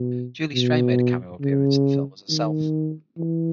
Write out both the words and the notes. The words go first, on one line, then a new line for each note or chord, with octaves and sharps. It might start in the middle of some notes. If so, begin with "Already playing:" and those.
Julie Strain made a cameo appearance in the film as herself.
Already playing: B2
B2
C#3
D#3
E3